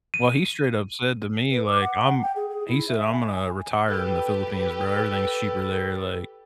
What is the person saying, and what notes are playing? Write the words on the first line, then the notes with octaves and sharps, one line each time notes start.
Well, he straight up said to me like, "I'm" he said "I'm gonna retire in the Philippines, bro, everything is cheaper there, like
D#7
B4
D6
F#5
G5
G#4
G#4
E4
E5
G#5
G#5
G4 A4 B4